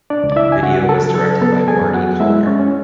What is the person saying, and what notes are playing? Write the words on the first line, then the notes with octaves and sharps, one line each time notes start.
Video was directed by Marty Callner.
D4 D5
C#2
D5
E4 E5
G#5
C#3 F#4 F#5
A4 A5
F#3
A4 A5
B3 A4 A5
G#4 G#5
F#2
F#4 F#5
G#3 E4 E5
C#4 C#5
C#4